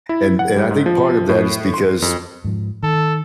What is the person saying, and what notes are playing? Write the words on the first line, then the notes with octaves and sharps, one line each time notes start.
and and I think part of that is because
E4
F#5
G3
G#2
F3
A2
C6
F2
G#2 F3
D#3 A4